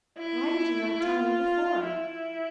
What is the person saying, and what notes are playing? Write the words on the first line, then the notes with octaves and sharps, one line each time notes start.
Why did you not tell me before?'
E4
F4
E4